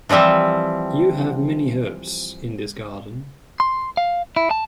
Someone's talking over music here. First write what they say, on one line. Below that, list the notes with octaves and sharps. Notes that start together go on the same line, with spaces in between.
You have many herbs in this garden.
E3 F3 G3 C4 E5
C6
F5
E4
A5